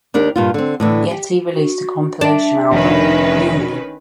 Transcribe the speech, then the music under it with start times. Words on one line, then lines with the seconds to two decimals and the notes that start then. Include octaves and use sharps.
Yeti released a compilation album, Yume!
0.14 D#2 D4 G4 A#4 D5
0.36 G2 A#2 F4
0.54 D3 C4
0.80 A2 D3 E3
1.11 G4
1.52 F#4
2.21 D4 E5
2.72 F1 D#3 C#4 B4